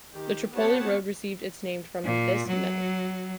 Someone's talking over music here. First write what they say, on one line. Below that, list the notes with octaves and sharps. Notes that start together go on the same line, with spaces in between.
The Tripoli Road received its name from this mill.
D#3 G4
B3 C4 G4 C#5 F#5 A5
A#2
F#3